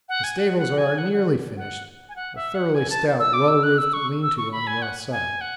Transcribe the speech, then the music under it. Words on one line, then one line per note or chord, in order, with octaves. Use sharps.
The stables are nearly finished--a thoroughly stout well-roofed lean-to on the north side.
F#5
G#5
F#5
F#5
G#5
F#5
F#5
F#5
G#5
F#5
E5
F#5
G#5
A5
E6
D6
E6
F#6
E6
C#6
E6
C#6
B5
G#5
F#5
G#5
F#5